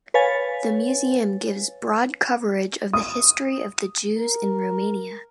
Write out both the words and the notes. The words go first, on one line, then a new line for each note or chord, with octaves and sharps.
The museum gives broad coverage of the history of the Jews in Romania.
B4 C#5 F5 G#5 A6
D#6
A#4